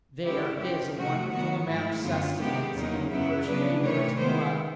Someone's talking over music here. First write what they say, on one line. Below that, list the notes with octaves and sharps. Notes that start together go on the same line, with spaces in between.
There is a wonderful amount of sustenance in the first few words of love.
C#3 E3 G#3 C#4 E4 G4
F2 C3 F3 G4
C3 F3 A3 F#4
D#3 F#3 B3 F#4
G#2 F3 A3 E4
F#2 D3 F#3 B3 F4
C3 D#3 G#3 B3 G4
E2 C#3 F#3 A#3 D#4
F#2 C#3 F#3 B3 E4
C#3 F#3 B3 D4 B4
C3 E3 A3 C#5
D#3 G#3 B3 E4 C5